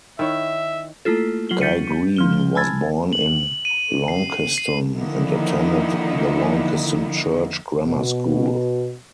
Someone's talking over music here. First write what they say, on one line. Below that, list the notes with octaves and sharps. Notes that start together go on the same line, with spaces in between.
Guy Green was born in Launceston, and attended the Launceston Church Grammar School.
D#3 E4 C#5 E5
A3 A#3 E4 F4 A4
F#3 F4 F#7 G7
G6 A6 B6 C#7 D#7
F3 F6 G7
G#5 A5 B5 E6 G#6 A6
F#7
D#7
C7
C7
D3 D#3 F3 A#3 D#4 E4
B2